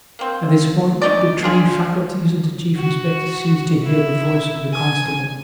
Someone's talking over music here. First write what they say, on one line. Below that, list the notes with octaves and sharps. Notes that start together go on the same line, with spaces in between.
At this point the trained faculties of the Chief Inspector ceased to hear the voice of the constable.
A#3 C4
C#4 D#4 D5
D4 F4 G#4
F#4
E4
G#5